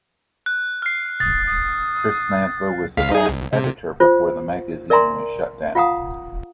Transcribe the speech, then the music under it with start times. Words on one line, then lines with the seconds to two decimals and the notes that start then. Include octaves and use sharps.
Chris Nadler was the last editor before the magazine was shut down.
0.46 F#6
0.82 F6 C7
1.20 D#6 A6
1.47 D#6
2.97 C#2 F5 B6
3.11 D#4 G#4
3.29 C2
3.53 C3
4.00 F4 C5
4.90 A#4 D5 E5 G#5 A#5 C6
5.75 F4 F5 F#5 A#5 D#6